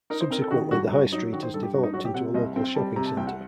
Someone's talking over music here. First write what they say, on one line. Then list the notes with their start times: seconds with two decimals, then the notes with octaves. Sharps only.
Subsequently the High Street has developed into a local shopping centre.
0.10 D#4 A#4
0.21 C5
0.31 C4 A#4
0.42 A4
0.51 D#3 F#4
0.71 G2 F#4
0.92 G2 F#4
1.12 F#3 D#4
1.33 D#3 F#4
1.43 C5
1.54 G2 A4
1.63 G4
1.74 G2 F#4
1.83 D#4
1.94 F#3 F#4
2.05 G4
2.14 C3 F#5
2.34 C2 D#5
2.56 C4 G5
2.75 G3 A5
2.96 C3 A#5
3.06 A5
3.17 C2 G5
3.27 F#5